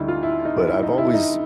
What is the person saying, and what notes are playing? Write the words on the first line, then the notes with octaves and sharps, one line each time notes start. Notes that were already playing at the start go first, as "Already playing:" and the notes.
but I've always
Already playing: D2 D3 G3 D#4 E4
F4
E4
D#4
E4
D#4
E4
D#4